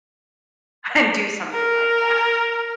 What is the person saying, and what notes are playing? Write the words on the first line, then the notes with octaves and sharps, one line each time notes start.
and do something like that.
A#4